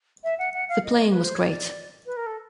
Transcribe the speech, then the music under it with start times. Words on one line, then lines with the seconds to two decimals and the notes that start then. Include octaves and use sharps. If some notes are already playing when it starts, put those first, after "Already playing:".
The playing was great.
0.24 E5
0.39 F#5
0.54 F#5
0.69 F5
0.84 D#5
1.12 B4
1.23 C5
1.34 C#5
1.45 D5
2.06 B4
2.17 A#4
2.26 A4